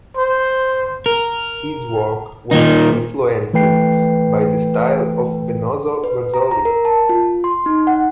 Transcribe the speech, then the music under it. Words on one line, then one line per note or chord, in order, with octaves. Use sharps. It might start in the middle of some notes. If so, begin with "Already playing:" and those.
His work was influenced by the style of Benozzo Gozzoli.
C5
A#4
A#2 D#3 D#4
E3 A3 B4 G5 C7
B4
A#5
A#5
A#4
A5
F4
C6
D#4
F#5